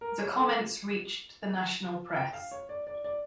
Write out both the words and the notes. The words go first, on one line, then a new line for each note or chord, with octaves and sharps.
The comments reached the national press.
A#4
C#5
A4
G5
F5
C#5
D5
D5
D5